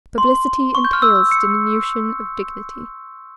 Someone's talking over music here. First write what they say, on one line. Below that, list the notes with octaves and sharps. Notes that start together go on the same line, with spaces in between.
Publicity entails diminution of dignity.
C6
C#6
G6
F6
E6
C#7